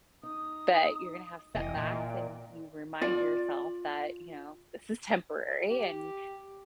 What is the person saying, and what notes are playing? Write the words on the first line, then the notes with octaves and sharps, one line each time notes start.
But you're gonna have setbacks and you remind yourself that, you know, this is temporary and
D#4 D#6
F1 E3 D#5 G5
A#2
F4 D5
G4